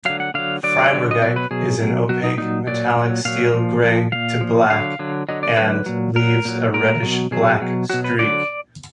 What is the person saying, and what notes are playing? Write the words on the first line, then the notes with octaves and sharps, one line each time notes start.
Freibergite is an opaque, metallic steel grey to black and leaves a reddish-black streak.
D3 F#3 F5
F#5
D3 F#3 F5
D3 F#3 D5
D3 F#3
D#5
B2 F#3 D5
B4
B2 F#3 G#4
B2 F#3
B2 F#3 F#4
D#4
A#2 F#3 D#4
A#2 F#3 D5
A#2 F#3
A#2 F#3 F5
A#2 F3
A#2 F3
A#2 F3 F5
A#2 F3
D3 F#3 F5
D3 F#3
D3 F#3 D#5
D5
D3 F#3 B4
A#2 F#3
A#2 F#3 A#4
A#2 F#3
A#2 F#3 A#4
B2 F#3
B2 F#3 G#4
B2 F#3
B2 F#3 F#4
B4
D3 F#3 D5